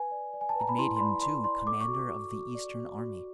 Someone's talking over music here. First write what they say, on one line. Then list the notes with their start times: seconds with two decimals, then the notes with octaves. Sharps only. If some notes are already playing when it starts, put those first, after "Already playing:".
It made him, too, commander of the Eastern army.
Already playing: B4 G#5
0.11 D5
0.34 D5
0.41 G#5
0.49 A5
0.55 B4 A#5
0.69 B5
0.78 E4 C6
0.96 C6
1.00 D5 B5
1.22 D5 C6
1.44 D5 C6
1.67 A4 D6
1.81 C#6
1.88 F#4
1.94 D6
2.10 F#4
2.33 F#4
2.55 D5
2.76 F#4
2.98 F#4